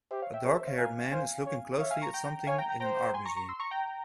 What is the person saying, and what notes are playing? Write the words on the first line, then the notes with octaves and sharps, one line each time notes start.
A darkhaired man is looking closely at something in an art museum.
G4 C5 E5
C#5 F5
E5 G5
G#4 A#4 C#5
C5 E5
C#5 F5
A#4 F5 G#5
C5 F5 G#5
C#5
C#5 E5 F5
F5 G#5
A#5 C#6
G5 A#5
C#5 F5 G#5
G5 A#5
G5 A#5
C5 G5 A#5
G#5 C6
A#5 C#6
A#5 C#6
C6 E6
A#5 C#6
G5 A#5